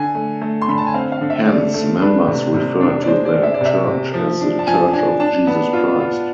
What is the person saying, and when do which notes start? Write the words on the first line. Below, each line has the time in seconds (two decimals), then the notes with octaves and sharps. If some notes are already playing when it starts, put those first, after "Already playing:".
Hence, members refer to their church as The Church of Jesus Christ.
Already playing: D3 G#5
0.15 A3
0.42 A3
0.62 C6
0.68 D3 B5
0.78 A5
0.87 G#5
0.94 C4 F5
1.12 F5
1.21 D3
1.30 E5
1.47 A3 D5
1.74 A3
2.01 D4 B4
2.27 C3
2.54 C3
2.81 D4
3.02 D5
3.07 G#3 C5
3.25 D5
3.34 G#3
3.43 E5
3.54 D5
3.61 C3 E5
3.87 C3
4.14 F3
4.41 D4
4.59 A5
4.67 F3 G#5
4.93 D4 G#5
5.20 D4 A5
5.47 B3
5.73 F4
6.00 F4